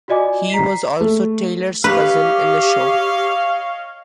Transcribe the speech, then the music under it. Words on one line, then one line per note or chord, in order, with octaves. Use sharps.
He was also Taylor's cousin in the show.
F4 F#4 D5 D#5 G#5 D6
A#5 B6 C7
A3
G4 B4 C#5 D#5 F5